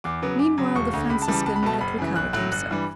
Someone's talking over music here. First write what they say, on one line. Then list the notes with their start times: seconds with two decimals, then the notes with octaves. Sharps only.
Meanwhile the Franciscan had recovered himself.
0.04 E2 D6
0.22 C#3 F#3 B3
0.39 F#2 D6
0.58 C#3 F#3
0.75 E1 C#6
0.93 D2 D3
1.10 C#2 B5
1.22 A5
1.28 C#3 E3 G3
1.34 A5
1.46 C#2 A5
1.56 B5
1.63 B2 A3 A5
1.81 F#1 B5
1.98 F#2 C#3 E3
2.16 B1 F#6
2.33 A2 F#3 F#6
2.52 G1 F#6
2.70 G2 E3 G3